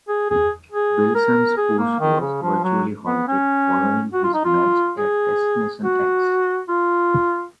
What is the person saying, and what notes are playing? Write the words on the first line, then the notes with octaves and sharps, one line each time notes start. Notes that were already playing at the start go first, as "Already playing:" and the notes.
Wilson's push was virtually halted following his match at Destination X.
G#4
G#4
G#4
A#4
G#4
A#3
D#3
C#3
F3
F#3
B3
C#4
F#4
F4
D#4
F4
G#4
F#4
F4